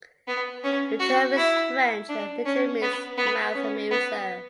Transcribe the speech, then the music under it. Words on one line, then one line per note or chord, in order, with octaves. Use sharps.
The term is French and literally means "mouth amuser".
B3
C#4
F#4
E4
D4
C#4
B3
B3
C#4
B3